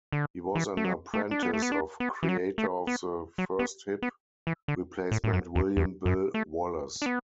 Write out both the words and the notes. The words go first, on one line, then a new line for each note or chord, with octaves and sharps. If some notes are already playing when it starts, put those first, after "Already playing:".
He was an apprentice of creator of the first hip replacement, William "Bill" Wallace.
D3
E3
A3
F#3
A3
D4
B3
A3
B3
D4
B3
E3
F#3
A3
B3
F#3
B3
B3
E3
D3
A2
A2
F#2
E2
E2
F#2
A3
D4
B3